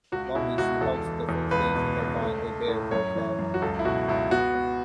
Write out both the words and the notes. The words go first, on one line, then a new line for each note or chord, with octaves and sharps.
Lonely, she hugs the first thing she can find, a bear called Ted.
C#2 F#4
B2 E4
C#2 F#4
E2 A4
E3
E2
C#2 B4
B2
C#2
A3
A3
A2
F#2 C#5
E3
F#2
F#4
C#2 A4
E4
B2 F#4
C#2 E4
B3 F#4
B3